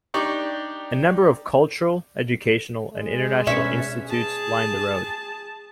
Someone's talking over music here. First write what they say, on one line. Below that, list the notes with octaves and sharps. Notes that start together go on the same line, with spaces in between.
A number of cultural, educational, and international institutions line the road.
D4 D#4 G4 D5 C#6 D6
G#3
B2 C#4 D4 B4 E5
G#4 A5